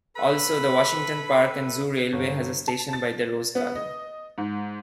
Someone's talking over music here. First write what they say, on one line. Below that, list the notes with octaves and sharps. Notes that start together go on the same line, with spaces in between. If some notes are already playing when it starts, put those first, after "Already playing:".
Also, the Washington Park and Zoo Railway has a station by the rose garden.
A4 B4 B5
G1
A5
A6
B3
D#5
G#2